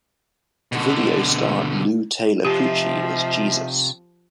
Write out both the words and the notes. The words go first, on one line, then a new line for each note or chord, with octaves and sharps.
The video starred Lou Taylor Pucci as Jesus.
B2 D3
C3 F3 C4 D#4 F4 G4 E5